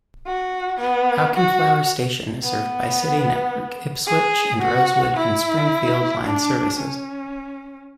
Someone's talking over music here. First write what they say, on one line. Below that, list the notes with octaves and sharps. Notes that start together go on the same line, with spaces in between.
Auchenflower station is served by City network Ipswich and Rosewood and Springfield line services.
F#4
B3
F#4
B3
G#4
F#4
E4
D4
C#4